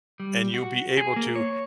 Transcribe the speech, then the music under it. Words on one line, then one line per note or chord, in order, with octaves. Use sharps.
and you'll be able to
G3
F#4
G#4
A#3
C#5